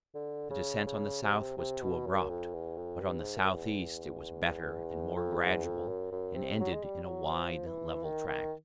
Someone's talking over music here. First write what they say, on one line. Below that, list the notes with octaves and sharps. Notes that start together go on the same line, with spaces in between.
The descent on the south was too abrupt, but on the south-east it was better and more gradual, and ended in a wide, level tract.
D3
C#3
C#3
C3
C3
B2
F#2
F2
E2
F2
G2
G#2
F#2
E2
F2
E2
F2
F#2
F#2
C3
F#3
G#3
G3
G3
F#3
F3
E3
D#3
D#3